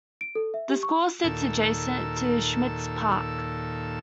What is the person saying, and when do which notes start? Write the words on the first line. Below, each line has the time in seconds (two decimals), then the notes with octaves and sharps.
The school sits adjacent to Schmitz Park.
0.21 D7
0.35 A4
0.54 E5
0.70 G4
0.83 C#6
1.24 D#2 A#2 A4 E6